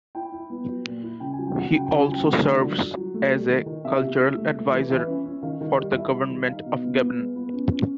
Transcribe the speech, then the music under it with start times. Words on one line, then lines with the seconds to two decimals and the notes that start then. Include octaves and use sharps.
He also serves as a cultural advisor for the government of Gabon.
0.15 E4 G5
0.32 E4
0.50 B3
0.68 F#3
0.85 A#2
1.03 E4
1.20 C#3 G5
1.33 G#5
1.38 F#3
1.47 G5
1.55 F#3 F#5
1.73 C#3 G5
1.86 C#4 G5
2.00 G#5
2.08 F#3 G5
2.25 A3 F#5
2.43 D3
2.61 F#3
2.79 F#3
2.97 F#3
3.14 A3
3.32 G3
3.49 D#3
3.66 D#3
3.85 C3 E5
4.01 C3
4.20 C3
4.36 A3
4.55 A3
4.72 E3
4.90 E3 E5
5.08 C#4
5.26 C#4
5.42 D#3 F5
5.61 D#3
5.78 G3
5.95 E4 E5
6.13 G3
6.30 D#3
6.48 D#4 F5
6.66 B2
6.83 B3
7.01 B3
7.18 G#3
7.36 B3
7.53 C#4
7.71 C#4